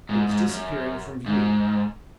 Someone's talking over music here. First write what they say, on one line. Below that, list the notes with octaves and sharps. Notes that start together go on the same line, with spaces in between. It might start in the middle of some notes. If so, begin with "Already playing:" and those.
It was disappearing from view.
G#2
G#2
F#2
G#2